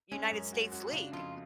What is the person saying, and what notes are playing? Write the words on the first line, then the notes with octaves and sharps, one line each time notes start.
United States league,
G#3 C#4
F#2
F#4
F#4
C#3 D4
F2 F4